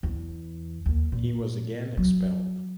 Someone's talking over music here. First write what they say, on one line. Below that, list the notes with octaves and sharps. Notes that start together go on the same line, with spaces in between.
He was again expelled.
E2
D#2
A#2
F#3